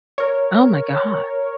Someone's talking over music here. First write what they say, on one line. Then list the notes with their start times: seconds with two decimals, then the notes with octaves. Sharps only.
Oh my god.
0.18 A#4 C#5